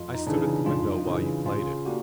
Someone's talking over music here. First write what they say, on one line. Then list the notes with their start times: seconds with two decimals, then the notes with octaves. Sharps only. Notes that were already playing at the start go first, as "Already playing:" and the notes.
I stood at the window while you played it.
Already playing: F2 F4
0.14 D#4
0.27 C#3 E3 D4
0.66 F2 F4
1.06 C#3 E3
1.46 C#3 F4
1.85 A#3 D4 F#4 G4